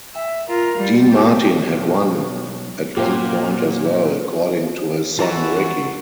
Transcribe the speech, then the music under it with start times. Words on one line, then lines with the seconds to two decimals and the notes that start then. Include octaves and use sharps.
Dean Martin had one at one point as well, according to his son Ricci.
0.15 E5
0.49 F4 A#4
0.77 G3
1.10 G4
1.73 B1
2.97 A#2 F#3 F4 G4
5.19 E3 F4 F#4 A5 A#5